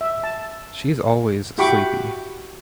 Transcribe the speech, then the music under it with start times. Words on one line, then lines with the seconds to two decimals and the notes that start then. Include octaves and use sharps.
She's always sleepy!
0.01 E5
0.23 A5
1.58 E4 F#4 G4 B5 C#6 D6